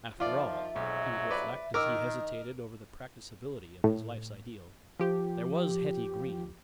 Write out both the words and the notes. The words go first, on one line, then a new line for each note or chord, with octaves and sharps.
"After all," he would reflect as he hesitated over the practicability of his life's ideal, "there was Hetty Green."
D#3 F3 F4 D5 E5
B1 F2 G#2 F#3
B4 D5
D#3 A#4 D#5 D6 E6
A2
F3 G4